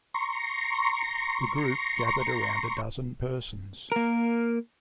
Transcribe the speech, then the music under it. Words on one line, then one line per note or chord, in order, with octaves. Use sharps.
The group gathered around a dozen persons.
A#5 C6 C#6
A#3 A#4